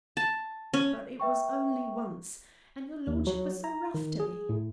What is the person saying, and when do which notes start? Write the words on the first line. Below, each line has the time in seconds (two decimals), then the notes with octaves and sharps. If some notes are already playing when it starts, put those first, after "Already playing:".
But it was only once; and your Lordship was so rough to me!
0.17 A5
0.74 C#4
1.20 B4 E5 G5 C#6
3.07 D#2
3.27 F#3
3.64 A#5
3.94 D#3
4.20 G#4
4.49 A2